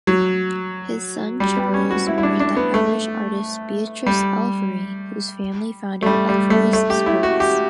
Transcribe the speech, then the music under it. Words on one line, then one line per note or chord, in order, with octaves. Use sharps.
His son Charles married the Irish artist Beatrice Elvery, whose family founded Elverys Sports.
F#3
G3
B3
C#4
F#4
E4
E4
D4
D4
B3
A3
G3
A3
G3
G3
A3
A3
G4
E4
F#4
G4